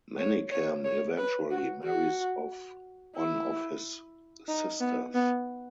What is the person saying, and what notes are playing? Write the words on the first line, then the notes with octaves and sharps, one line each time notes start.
Manikkam eventually marries off one of his sisters.
C#5
C#5
C#5
B4
F#4
F#4
E4
D#4
B3
B3